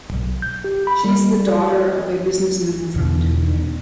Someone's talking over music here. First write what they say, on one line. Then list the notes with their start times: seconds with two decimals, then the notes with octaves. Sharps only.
She is the daughter of a businessman from Dülmen.
0.12 B1
0.42 G6
0.64 G4
0.87 B5
1.04 G3
2.96 E2 B2 D3